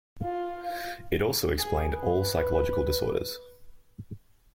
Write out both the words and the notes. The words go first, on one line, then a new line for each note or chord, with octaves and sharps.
It also explained all psychological disorders.
F4
G#4
B4